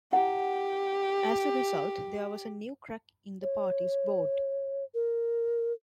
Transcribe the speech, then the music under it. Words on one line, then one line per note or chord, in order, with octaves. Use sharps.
As a result, there was a new crack in the party's board.
E4 G4 F#5
C#5
A#4